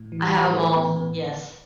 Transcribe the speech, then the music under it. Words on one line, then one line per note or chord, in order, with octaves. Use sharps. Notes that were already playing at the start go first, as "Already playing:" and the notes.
I have 'em all. Yes.
Already playing: A2
E3
G3 G4
A2
B4
E3 A3 A4
A2 B3 B4
A2 B3 B4